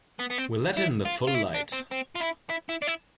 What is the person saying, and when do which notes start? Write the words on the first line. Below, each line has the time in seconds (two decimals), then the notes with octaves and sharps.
We'll let in the full light.
0.19 B3
0.30 B3
0.38 C4
0.77 E4
1.05 F4
1.27 F4
1.35 E4
1.54 D4
1.72 C4
1.91 C4
2.16 F4
2.20 E4
2.50 E4
2.69 E4
2.82 D4
2.87 E4